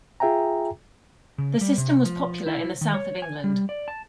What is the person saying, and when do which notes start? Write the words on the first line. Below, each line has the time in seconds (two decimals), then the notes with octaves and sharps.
The system was popular in the south of England.
0.20 F4 G#4 E5 G5 G#5 A#5
1.38 C#3
1.61 G3
1.78 C3
2.05 F3
2.47 E4
2.81 D#3
2.94 C#5
3.22 G#5
3.44 G3
3.69 D5
3.88 A5